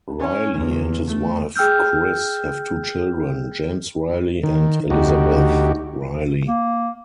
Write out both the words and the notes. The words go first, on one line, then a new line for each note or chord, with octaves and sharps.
Riley and his wife Chris have two children, James Riley and Elisabeth Riley.
C#4
E2
A3
G#4 G5 E6 F6 G6
D#3
D2 D#4 F#4 G4
A#3